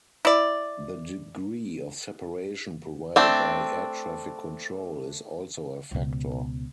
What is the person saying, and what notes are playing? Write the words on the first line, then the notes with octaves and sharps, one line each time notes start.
The degree of separation provided by air traffic control is also a factor.
E4 D5
A3 C4 D4
C#2 B2